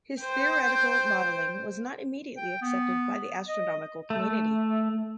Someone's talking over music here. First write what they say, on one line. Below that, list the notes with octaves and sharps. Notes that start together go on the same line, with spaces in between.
His theoretical modeling was not immediately accepted by the astronomical community.
C5 G5
G5
B3
D#5
A3